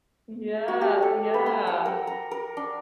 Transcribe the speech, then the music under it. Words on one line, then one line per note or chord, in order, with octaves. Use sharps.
Yeah, yeah.
F#4
G4
A4
B4
C6
F#5
A#4
A#5
A#4
D4